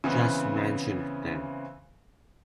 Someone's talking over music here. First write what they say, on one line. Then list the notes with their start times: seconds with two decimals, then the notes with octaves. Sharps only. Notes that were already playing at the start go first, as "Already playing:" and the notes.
Just mentioned them.
0.04 C#3 E3 B3 C4